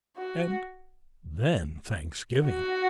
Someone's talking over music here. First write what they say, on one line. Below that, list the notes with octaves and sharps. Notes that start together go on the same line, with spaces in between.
And then Thanksgiving!
F#4
F#4